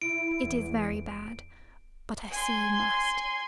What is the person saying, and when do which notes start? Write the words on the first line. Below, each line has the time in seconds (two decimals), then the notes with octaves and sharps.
It is very bad--but I see you must.
0.02 E4 D7
0.44 E2
2.30 G#5 C6